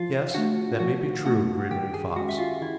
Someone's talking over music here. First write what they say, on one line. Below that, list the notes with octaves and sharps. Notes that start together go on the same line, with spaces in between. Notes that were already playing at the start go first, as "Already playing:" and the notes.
"Yes, that may be true," agreed Running Fox.
Already playing: F3 F4 F5
A3 D4 F#4 F#5
F3 F#4 F#5
A3 D4 F#4 F#5
D#3 G4 G5
G#4 G#5
G#3 C#4 F#4 F#5
E5
F4 F5
D#3 E4 E5